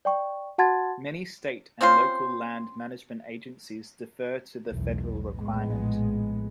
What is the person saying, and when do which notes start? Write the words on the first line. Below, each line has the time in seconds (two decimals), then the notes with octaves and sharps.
Many state and local land management agencies defer to the federal requirement.
0.05 D5 G5 C#6
0.58 F#4 F#5 A5 C6 G#6 A6
1.81 C4 C#4 F4 C5
4.69 B1 E2 A2
5.36 A#1 A2 G#3 B3